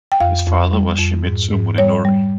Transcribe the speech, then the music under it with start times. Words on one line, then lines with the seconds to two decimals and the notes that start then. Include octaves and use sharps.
His father was Shimizu Munenori.
0.12 G5
0.20 F2 F5
0.47 F2
0.73 G3
0.99 F2
1.26 G#2
1.52 G#2
1.78 G3 C#5
2.05 G3